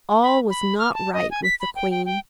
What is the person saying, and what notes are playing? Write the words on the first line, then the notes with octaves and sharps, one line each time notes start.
All was not right with the Queen.
B5
B5
F6
A5
D#5
G#5
B6
B5
G5
G5
G5